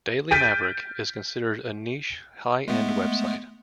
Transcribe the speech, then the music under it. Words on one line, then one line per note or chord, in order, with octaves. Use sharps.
"Daily Maverick" is considered a niche, high-end website.
F6 G6 A6 B6 D7 D#7
G#3 A3 B3